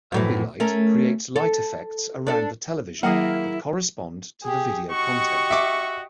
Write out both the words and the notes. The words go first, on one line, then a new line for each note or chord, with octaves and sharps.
Ambilight creates light effects around the television that correspond to the video content.
F#2 A2 E3
A3 C#4 A#4
A4
D4 A4
D#3 F#3 A#3 E4 G#4 A#4 F#5 G5
G4 G#4
F#4 G4 D#5 C#6
E5 D6